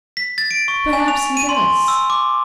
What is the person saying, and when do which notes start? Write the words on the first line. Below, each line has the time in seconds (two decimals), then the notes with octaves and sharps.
Perhaps he does.
0.17 B6
0.38 A6
0.51 D7
0.68 C#6
0.93 G#5
1.08 F7
1.37 D#7
1.49 C6
1.88 E6
2.10 D6